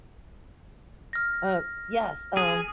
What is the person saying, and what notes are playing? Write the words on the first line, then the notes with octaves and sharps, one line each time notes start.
Oh, yes, um
F6 A#6
G#4